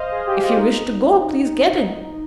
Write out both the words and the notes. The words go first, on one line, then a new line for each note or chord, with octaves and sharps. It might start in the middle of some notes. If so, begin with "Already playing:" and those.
"If you wish to go, please get in."
Already playing: C5 D#5 F5
G#4
G4
F4
D#4